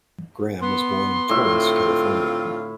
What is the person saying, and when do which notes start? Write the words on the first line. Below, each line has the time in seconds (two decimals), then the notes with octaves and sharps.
Graham was born in Torrance, California.
0.61 B3 C6
1.29 A2 D3 C4 F4 E5